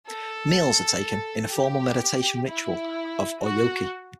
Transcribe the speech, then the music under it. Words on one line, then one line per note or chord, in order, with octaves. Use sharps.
Meals are taken in a formal meditation ritual of oryoki.
A4
G4
E4
F#4